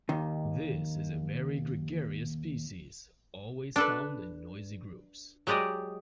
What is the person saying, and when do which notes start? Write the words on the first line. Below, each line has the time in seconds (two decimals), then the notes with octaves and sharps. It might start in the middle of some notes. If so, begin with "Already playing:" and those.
This is a very gregarious species, always found in noisy groups.
0.09 D#2 D#3
3.76 D4 A4 B4
5.47 F#3 G#3 G4 D5 D#5